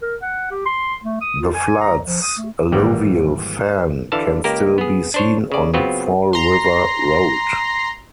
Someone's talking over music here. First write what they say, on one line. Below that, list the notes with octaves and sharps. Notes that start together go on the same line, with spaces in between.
The flood's alluvial fan can still be seen on Fall River Road.
A#4
F#5
G4
C6
A3
D#6
F4
G#5
A#5
F3
D#6
A3
G#1 E3 G3 A#3 F#5 G5
D3 E3 F5 A5
C#2 A#3 G4 A#4
B3 G#4
D4 C5 C#5
C#3 D5
C#3 F#3 B3 C4 F4
A#5 C6